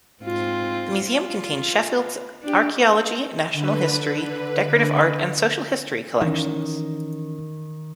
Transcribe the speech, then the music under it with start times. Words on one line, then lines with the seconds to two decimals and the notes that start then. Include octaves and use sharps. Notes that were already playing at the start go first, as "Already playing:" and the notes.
The museum contained Sheffield's archaeology, natural history, decorative art and social history collections.
0.22 G#2 C4 F4
1.04 F4
2.42 D4 G4
3.53 D3 B4
6.22 D#3 E3 C#4